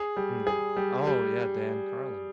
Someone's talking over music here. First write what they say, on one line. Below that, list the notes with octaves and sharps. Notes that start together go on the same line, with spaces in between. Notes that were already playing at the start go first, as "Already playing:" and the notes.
Mm. Oh, yeah, Dan Carlin.
Already playing: G#4
G3
G#4
G3
G3